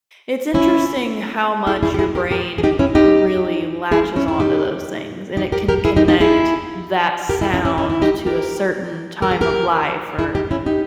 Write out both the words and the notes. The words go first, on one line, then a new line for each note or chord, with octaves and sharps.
it's interesting how much your brain really latches onto those things and it can connect that sound to a certain time of life or,
C#4 E4
E4 G#4
E4 G#4
G4
E4 G#4
G4 A#4
G4 A#4
G#4
D#4 G4
C#4 E4
D#4 G4
E4 G#4
C#4 E4
E4
D#4 G4
D#4 G4
G4 A#4
G4 A#4
E4 G#4
D#4 G4
D#4 G4
E4 G#4
G4 A#4
E4 G#4
C#4 E4
C#4 E4
C#4 E4
E4
D#4 G4
G4 A#4
A#4
G#4
G4 A#4
E4 G#4
D#4 G4
C#4 E4
D#4 G4